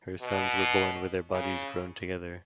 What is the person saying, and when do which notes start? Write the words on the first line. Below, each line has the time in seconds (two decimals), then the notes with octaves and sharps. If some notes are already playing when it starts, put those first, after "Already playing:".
Her sons were born with their bodies grown together.
0.22 B2
1.31 C#3